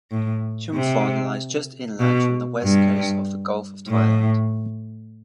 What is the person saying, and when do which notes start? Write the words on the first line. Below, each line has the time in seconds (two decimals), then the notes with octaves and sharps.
Chumphon lies just inland from the west coast of the Gulf of Thailand.
0.11 A2
0.74 C3
1.99 B2
2.63 G2
3.88 A2